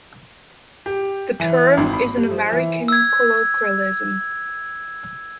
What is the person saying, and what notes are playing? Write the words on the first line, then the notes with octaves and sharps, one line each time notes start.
The term is an American colloquialism.
G4
E3
G#1
B5
G2
F3
E3
E6 G#6